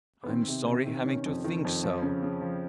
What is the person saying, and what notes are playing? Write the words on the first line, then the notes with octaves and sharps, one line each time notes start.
I'm sorry having to think so.
B3
D#3 C4
C3
C3
D#3
D#3 C#4
F2
D#3
F2
F3
C#3
C#3
F3